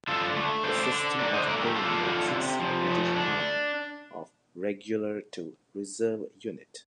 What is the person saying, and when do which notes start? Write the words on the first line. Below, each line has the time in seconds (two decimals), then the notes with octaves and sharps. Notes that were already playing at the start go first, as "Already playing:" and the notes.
A system of pairing exists in the British Army of Regular to Reserve unit.
0.08 D3 F4 A4
0.36 A3
0.64 D4 A4 C5
0.92 D3
1.20 D3 A#4 D5
1.34 C5 D#5
1.47 A3 A#4 D5
1.61 G4 A#4
1.75 D4 F4 A4
2.03 D3
2.31 C3
2.60 F3
2.87 A3
3.14 D4